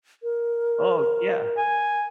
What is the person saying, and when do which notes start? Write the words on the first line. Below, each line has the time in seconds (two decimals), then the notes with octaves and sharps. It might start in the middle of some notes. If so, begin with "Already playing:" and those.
Oh, yeah.
0.23 A#4
1.58 G#5